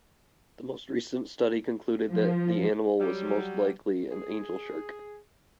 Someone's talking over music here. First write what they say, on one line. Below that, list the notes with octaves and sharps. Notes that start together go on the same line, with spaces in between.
The most recent study concluded that the animal was most likely an angelshark.
F3
F#3 G3
G#4